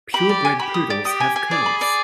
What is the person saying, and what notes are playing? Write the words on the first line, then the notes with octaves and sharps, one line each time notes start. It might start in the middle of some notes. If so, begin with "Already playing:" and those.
Pure bred poodles have curls.
G4 B5
D5
G#5
G4 B5
D#6
D5
G4 D#6
G#5
G#5
G#4 D5
B5
D5